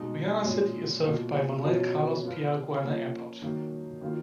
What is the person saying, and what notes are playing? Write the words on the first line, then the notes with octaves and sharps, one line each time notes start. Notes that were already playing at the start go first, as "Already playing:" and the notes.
Guayana City is served by Manuel Carlos Piar Guayana Airport.
Already playing: B2 G#3 D#4
A#2 G#3 C#4 F#4
B2 A#3 F4
B2 F#3 C#4 F4
F3 B3 F4
F3 A#3 C#4
D#3 F#3 A#3
D#3 F#3 A#3 F4